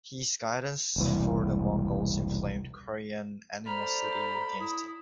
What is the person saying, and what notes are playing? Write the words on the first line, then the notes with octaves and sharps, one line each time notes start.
His guidance for the Mongols inflamed Korean animosity against him.
E1 C2 E3
A4 C5 D5 A#5 B5 F6
E4 D#6